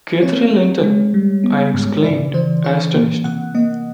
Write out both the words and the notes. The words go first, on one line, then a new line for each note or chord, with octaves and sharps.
Catherine Linton?’ I exclaimed, astonished.
C4 C#5
C4
G#3
G3
B3
G#2
C#3 D5
E3 C5
E3 C#5
A#3
C3 F#5
A#3 D#5